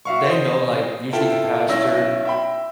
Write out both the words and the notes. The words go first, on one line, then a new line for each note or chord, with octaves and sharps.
they know, like usually the pastor
F#4 E5 F5 C#6
C5 D#5
E4 F4 A4 G5 A5
B1 C#4 E4 E6 A#6
E5 G5 B5